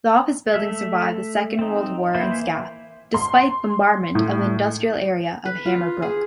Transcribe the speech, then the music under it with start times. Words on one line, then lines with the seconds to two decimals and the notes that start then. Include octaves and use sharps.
The office building survived the Second World War unscathed, despite bombardment of the industrial area of Hammerbrook.
0.54 A3 E5
1.59 C4 D#4
2.14 E3 A#3 E4 B4 C5
3.14 C6
4.15 A2
5.45 B4
5.66 F4
6.02 G#4